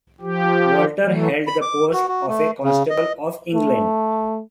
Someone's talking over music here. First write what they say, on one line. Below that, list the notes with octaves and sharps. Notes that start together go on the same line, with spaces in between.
Walter held the post of a Constable of England.
F3 G4
E3 F#3 A3
B5
D6
F#4
F#4
A3
C#3
D#5
A3